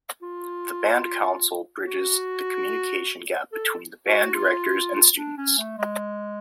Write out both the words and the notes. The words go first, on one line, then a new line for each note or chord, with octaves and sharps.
The Band Council bridges the communication gap between the band directors and students.
F4
F#4
A4
F#4
F4
D4
C#4
A3
G#3